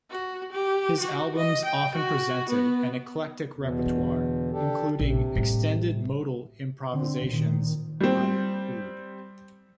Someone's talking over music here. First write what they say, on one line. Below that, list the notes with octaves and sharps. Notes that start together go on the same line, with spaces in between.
His albums often presented an eclectic repertoire including extended modal improvisations on oud.
F#4
G4
F#4
D#5
G5
F#4
B3
E2 B2
D3
D4 G4 A4
A#1 C3
A2 G3
D3 C4
A#2 D#3
G3 C4